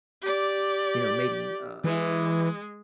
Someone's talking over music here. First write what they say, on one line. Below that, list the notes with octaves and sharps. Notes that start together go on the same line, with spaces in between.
you know, maybe, um,
G4 D5
E3 G#3